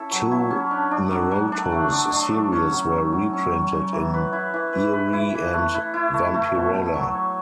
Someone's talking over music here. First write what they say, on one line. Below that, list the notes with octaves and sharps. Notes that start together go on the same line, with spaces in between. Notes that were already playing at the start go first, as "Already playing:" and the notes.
Two Maroto's series were reprinted in "Eerie" and "Vampirella".
Already playing: C#4 E4 A4
F#3
E4
C#4
D4
D4
F#3
F#3
D4
A3
D4
D4
F#3
C#4
F#3
F#3
F#3
C#4
F#3
F#3
E3
B4
E4
E3
B4
B4
E4
E3
A3
E4
E4
A3
A3
B2
A3
F#3
C#5